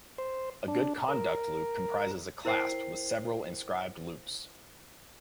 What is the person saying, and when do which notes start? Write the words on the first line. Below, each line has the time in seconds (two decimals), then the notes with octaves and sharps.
A Good Conduct Loop comprises a clasp with several inscribed loops.
0.18 C5
0.68 D4
1.08 A#4
2.45 E4 A#4 C5 G5 C7